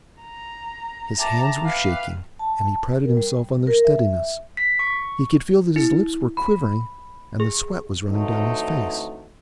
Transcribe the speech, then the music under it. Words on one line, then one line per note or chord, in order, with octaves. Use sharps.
His hands were shaking, and he prided himself on their steadiness; he could feel that his lips were quivering, and the sweat was running down his face.
A#5
E5 G5 A5 A#5 D6
B4 F5
A5
A#4
G3
A#4
E5
B6
C#6
E4
B5
G#4
D3 E3 F#3 A3 C4 D#4